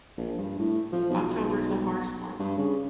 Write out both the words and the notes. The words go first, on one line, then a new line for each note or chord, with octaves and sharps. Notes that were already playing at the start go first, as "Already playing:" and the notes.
Octobers a harsh month.
A#1
G2
A2
F3
B1
G2
C#3